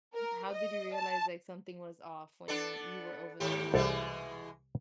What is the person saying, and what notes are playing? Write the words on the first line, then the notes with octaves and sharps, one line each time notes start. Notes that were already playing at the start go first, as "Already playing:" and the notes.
how did you realize, like, something was off when you you were over there?
A#4
D#5
A5
B3 D4 A4
D#2 G#2 G4
C2 B2 E3 G#3 A4 D5